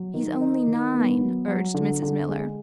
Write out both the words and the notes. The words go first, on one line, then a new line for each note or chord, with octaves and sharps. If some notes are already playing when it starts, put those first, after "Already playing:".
"He's only nine," urged Mrs. Miller.
Already playing: F#3
D#3
D#4
D#3
B3
F#3
F#3
D3
D3
G#3